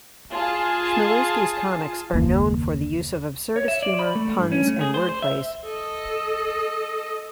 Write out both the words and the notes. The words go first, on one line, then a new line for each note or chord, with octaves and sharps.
Chmielewski's comics are known for the use of absurdist humour, puns and word plays.
F4 G#4 A5
F#1 D#2 A#3
C#5
E5
D5
B5
A3
G2
C#4
A3
G#4
C5
C5
E5
A4 D#5